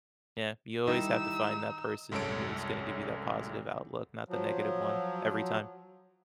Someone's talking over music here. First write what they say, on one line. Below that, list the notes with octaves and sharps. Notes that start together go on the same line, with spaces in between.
Yeah, you always have to find that person who's gonna give you that positive outlook, not the negative one, every time.
D#3 G3 D#4 E4 E6
C2 F#2 G#3 A4 C#5 D7
F3 F#3